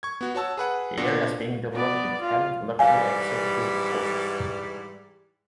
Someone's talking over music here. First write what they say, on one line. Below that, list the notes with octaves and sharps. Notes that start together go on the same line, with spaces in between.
The area is being developed with ten luxury executive houses.
C#6 G#6
B3 F#4
F#4 C#5 A5 E6
G#4 B4 F#5
A#2 B3 D4 F#4 A#6 C#7
B3 D5
F4
G#2 E3 G3 F5 G#5